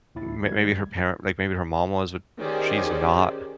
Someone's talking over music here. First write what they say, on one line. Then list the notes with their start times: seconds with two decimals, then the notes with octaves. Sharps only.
m m maybe her parent like, maybe her mom was, but she's not,
0.15 D2 A2 E4 A6
0.45 D#3 G3 A3 G#6
2.38 D#3 C#4 G4 G#4 C5 D5